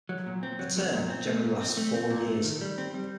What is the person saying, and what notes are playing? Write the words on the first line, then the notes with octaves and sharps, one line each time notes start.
A term generally lasts four years.
F#3
A#2
C4
F#3
F#3
A#2
C4
A3
A#2
C4
A3
C4
A#2
A3
D#3
G3
C4
G3